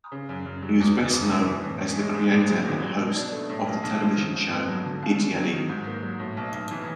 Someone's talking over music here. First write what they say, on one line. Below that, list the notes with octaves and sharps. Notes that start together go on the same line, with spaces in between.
He is best known as the creator and host of the television show "Ittyadi".
C#3
F#2
F#2
F#3
E2
F#1
F#1
B2
E3
A2
C#4
G#3
G#2
A#1
F#3
D#3
F#3
B2
D4
A3
A2
B1
B1
F3
D#3
G#2
B3
F#3
D3
D#2
D#2
F#3
D#3
G#2
A#3
F#3
A2
B1
B1
E3